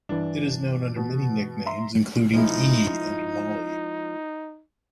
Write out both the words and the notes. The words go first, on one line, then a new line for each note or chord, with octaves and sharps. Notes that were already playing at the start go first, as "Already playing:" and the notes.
It is known under many nicknames, including "e" and "Molly".
G2 E3 D4
B2
E5 A#5 C6
F3 G#3 D#4 E4